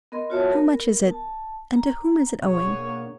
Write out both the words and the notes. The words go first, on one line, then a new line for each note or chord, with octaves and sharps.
How much is it and to whom is it owing?
B3 A#4 D#5 C6
F4 F#4 C#5 E5 A5
B3 A#4
A5
A#5
B2 D4 G#4 C#5 F#5 C#6
A#3